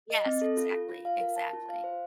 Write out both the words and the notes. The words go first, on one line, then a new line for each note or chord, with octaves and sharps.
yes, exactly. Exactly.
D#5
C4
A4
F4
F4
F4
F5
A#4
A5
F4
F5
C5